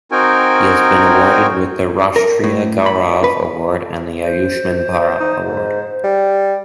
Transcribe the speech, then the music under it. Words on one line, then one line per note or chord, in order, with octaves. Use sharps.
He has been awarded with the Rashtriya Gaurav Award and Ayushman Bharat Award.
C4 D#4 F#4 A#4 G5 G#5
A#4
A2
B5
B4
C5
D#4
G#2
G3